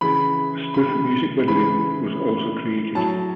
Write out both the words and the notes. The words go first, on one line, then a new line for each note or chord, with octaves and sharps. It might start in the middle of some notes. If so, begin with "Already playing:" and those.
A spoof music video was also created.
C#3 E3 B5
B5
C#3 E3 B5
A2 F#3 A5